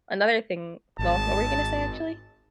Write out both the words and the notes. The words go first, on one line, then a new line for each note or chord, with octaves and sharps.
Another thing well, what were you gonna say, actually?
G#1 A5